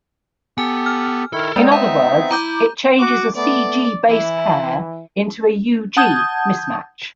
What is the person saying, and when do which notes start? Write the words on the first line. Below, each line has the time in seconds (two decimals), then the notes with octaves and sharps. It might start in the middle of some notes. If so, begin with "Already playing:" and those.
In other words, it changes a C:G base pair into a U:G mismatch.
0.58 B3 G4 A4 G#5
0.86 F6
1.33 D#3 E4 A4 A#4
1.56 G#3 B3 C4 D#4 D5
1.72 E5 A#5
2.31 E4 A#5 D6 G6
2.98 F#4 D6
3.35 A3 B3 D5
4.09 E3 E4
5.97 F#5 A5 D#6 G6 G#6